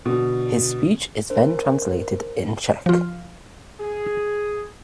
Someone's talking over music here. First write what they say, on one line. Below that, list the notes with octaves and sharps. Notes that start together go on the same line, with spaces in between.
His speech is then translated in Czech.
B2 D3
D4 A#4 C5
F3 F4
G#4